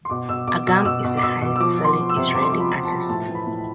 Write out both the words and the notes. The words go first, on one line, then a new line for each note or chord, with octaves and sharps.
Agam is the highest-selling Israeli artist.
C6
B2 D6
B2 E6
B2 D6
B2 E6
B2 E6
B2
D6
B2 E6
B2
E6
F3 D6
F3
C6
F3
E6
C3
C3 D6
C6
D6
F3
B5
F3
A5
F3
A2 A5
E3
B5
A2